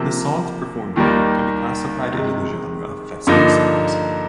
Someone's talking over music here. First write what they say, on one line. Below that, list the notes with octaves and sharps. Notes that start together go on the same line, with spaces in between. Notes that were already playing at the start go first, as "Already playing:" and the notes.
The songs performed there can be classified into the genre of festive songs.
Already playing: C3 F3 A#3
D#2 D#3 G3 A#3
C3 D#3 G#3
G2 D3 F3 A#3 D#4